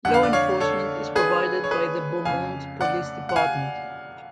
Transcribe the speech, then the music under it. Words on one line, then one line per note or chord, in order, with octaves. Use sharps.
Law enforcement is provided by the Beaumont police department.
F2 D3 F#5
F5
D5
C#5 F5
A4 C#5
G#4 B4
C#5
G#4 B4
F2 C#3 F5 G#5
D5 F#5
F#5
F5 G#5